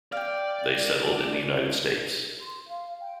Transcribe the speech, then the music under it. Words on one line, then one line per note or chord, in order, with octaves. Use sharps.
They settled in the United States.
D5 F5 G5
C6
F5
G5